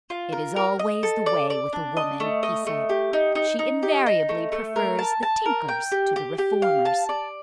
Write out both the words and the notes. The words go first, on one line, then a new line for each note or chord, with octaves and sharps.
"It is always the way with a woman," he said; "she invariably prefers the tinkers to the reformers."
F4
A#4
A#4
D#5
A4
D5
D5
D4
D#5
A3
D#5
A3
G4
D#4
D#4
D#4
G4
D#4
A3
A3
A#4
A5
A5
A#4
G5
G4
G4
G4
F5
A5
D5